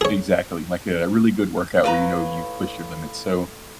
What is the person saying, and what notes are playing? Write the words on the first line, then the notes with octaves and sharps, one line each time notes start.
Exactly, like a really good workout where you know you've pushed your limits. So,
G#4 C#5
A2 B4 F5 A#5